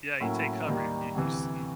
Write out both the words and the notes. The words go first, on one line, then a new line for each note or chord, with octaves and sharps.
Yeah, you take cover. You you s y
A2 F#3 A#3 C#4 E4
D#2 D#3 G3 A#3
D2 C3 E3